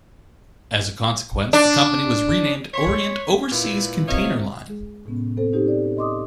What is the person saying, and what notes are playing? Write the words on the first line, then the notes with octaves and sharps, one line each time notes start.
As a consequence the company was renamed Orient Overseas Container Line.
D4
C#5 C6 B6
A#2 E4 B4
C3 C#5 D#5 F5
G#3 G#4
A2 C3 B3 C#4
C4 A4 C5
C#4 D#4 G4 G#4 C5
C5 D5
D#5 C6 D6 D#6